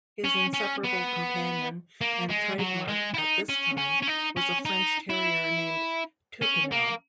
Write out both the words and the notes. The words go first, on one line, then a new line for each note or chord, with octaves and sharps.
His inseparable companion and trademark at this time was a French terrier named Toupinel.
C#4
C#4
B3
A#3
G#3
F#3
G#3
E4
D#4
C#4
C#4
C#4
D#4
C#4
D#4
E4
C#4
A#3